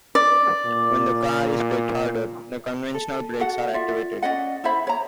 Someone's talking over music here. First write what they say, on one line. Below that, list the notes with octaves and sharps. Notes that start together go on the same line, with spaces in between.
When the car is braked harder, the conventional brakes are activated.
D5
A#2
A4
F#4 A4 F#5
F4 D5 E5
C#4 D5 D#5 F#5
E4 C5 E5 B5
C#5 A#5